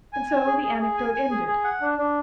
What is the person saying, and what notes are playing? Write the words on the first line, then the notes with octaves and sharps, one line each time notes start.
And so the anecdote ended.
G#5
G#5
G#4
G#4
G#4
G#5
G#5
G#4
G#4
F#5
D4
D4